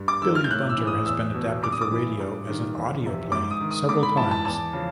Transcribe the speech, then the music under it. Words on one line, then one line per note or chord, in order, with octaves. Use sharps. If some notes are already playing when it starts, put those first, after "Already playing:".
Billy Bunter has been adapted for radio as an audio play several times.
Already playing: G2
D6
D#3 E6
F6
G6
A2 F#6
E6
E3
D#6
E2 E6
B2
G2 D6
D#6
D6
E3
G2
D#3
E2
C3 F3
G#2 D6
D#6
D#3
D#6
G#2 D6
B5
E3 A5
A5
E2 A5
C#3 F3